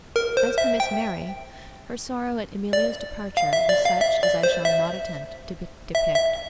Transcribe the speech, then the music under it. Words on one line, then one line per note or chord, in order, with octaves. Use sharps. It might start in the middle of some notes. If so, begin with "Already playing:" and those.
As for Miss Mary, her sorrow at Amelia's departure was such as I shall not attempt to depict.
A#4
C5
E5
G5
D5
F5
E5
D5
F5
E5
D5
C5
E5
E5
E5